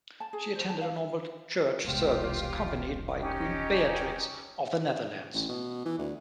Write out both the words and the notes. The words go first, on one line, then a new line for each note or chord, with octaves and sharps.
She attended a normal church service, accompanied by Queen Beatrix of the Netherlands.
A5
G#4
C5
A5
F5
E5
E1 C2 F4 G4
C#4 D#4 G4
A1
B2
E3
D2